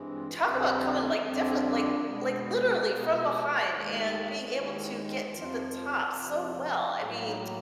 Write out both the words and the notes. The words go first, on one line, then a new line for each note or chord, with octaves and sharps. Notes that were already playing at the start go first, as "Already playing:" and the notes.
talk about coming like, different like like, literally from behind and being able to get to the top so well, I mean,
Already playing: G2 E3 G#3 C4
F4
F2 D3 G3 C4 G4
F#4
E4
D#4
F2 D3 G3 C4 D4
B2 G#3 B3
B2 G#3 B3
D#2 D#3 G#3 D#4
D#2 D#3 G#3 E4
F2 C3 F3 F4
F2 C3 F3
A2 F#3 A#3 E4
D#4